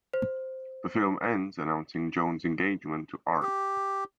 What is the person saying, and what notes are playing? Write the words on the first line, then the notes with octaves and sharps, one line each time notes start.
The film ends announcing Joan's engagement to Art.
C5
G4